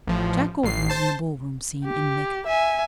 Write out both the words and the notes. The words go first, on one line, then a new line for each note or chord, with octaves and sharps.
Jack Gordon was in the ballroom scene in make-up.
A1 F3
A1 C7
C5 A5
G4
E5 G#5